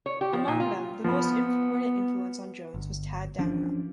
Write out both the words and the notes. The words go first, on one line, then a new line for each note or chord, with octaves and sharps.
Among them, the most important influence on Jones was Tadd Dameron.
C#5
G4
F3
A#2
F4
F3 B3 B5
G1
E3 F3 C#4 D4